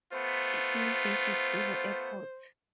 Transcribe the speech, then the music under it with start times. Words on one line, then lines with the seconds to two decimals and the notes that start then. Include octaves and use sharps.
Its main base is Dubbo Airport.
0.12 A3 B3 F4 C5